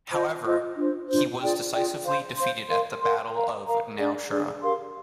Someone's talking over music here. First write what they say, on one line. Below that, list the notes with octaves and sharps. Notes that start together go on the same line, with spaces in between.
However he was decisively defeated at the Battle of Nowshera.
F4 C5 D#5
F4 C5 D#5
D4 F4 C5
D4 F4 C5
F4 G#4 D5 G5
F4 G#4 D5 G5
C5 F5 C6
C5 F5 C6
A#4 F5 C6
A#4 F5 C6
A#4 F5 A#5
A#4 F5 A#5
D4 G#4 D5
D4 G#4 D5
G4 A#4 F5 C6